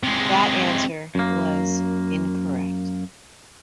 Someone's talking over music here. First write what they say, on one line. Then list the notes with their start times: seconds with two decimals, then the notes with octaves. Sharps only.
That answer was incorrect.
0.03 C3 G#3
1.15 F#2 A#3